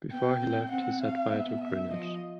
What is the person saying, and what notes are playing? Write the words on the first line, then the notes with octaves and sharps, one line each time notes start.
Before he left he set fire to "Greenwich".
B3 G5
C4
C4 F#5
F5
B3 E5
E5
F3 D#5